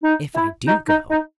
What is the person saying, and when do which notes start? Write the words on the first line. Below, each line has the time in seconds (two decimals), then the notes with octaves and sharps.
"If I do go."
0.03 D#4
0.35 E4
0.67 D#4
0.88 D#4
1.10 D#4